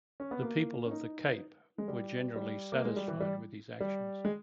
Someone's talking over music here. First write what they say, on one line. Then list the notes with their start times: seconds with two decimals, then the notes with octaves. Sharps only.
The people of the Cape were generally satisfied with his actions.
0.20 C#4
0.31 B3
0.42 A#3
0.86 C#4
0.91 D#4
1.78 G#3
1.88 G3
2.36 G3
2.72 A#3
2.85 G#3
2.96 G3
3.08 E3
3.20 G3
3.80 G3
4.25 G#3